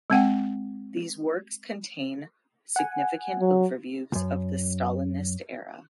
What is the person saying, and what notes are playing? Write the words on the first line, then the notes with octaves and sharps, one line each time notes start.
These works contain significant overviews of the Stalinist era.
G#3 C4 F#5 G5
F#5 G#5
F#3
C#2 F#2